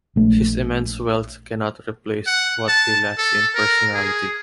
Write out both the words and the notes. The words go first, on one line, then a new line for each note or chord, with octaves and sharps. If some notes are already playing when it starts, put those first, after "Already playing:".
His immense wealth cannot replace what he lacks in personality.
A#1 A3
F#5
A5
A4
A#4
G#4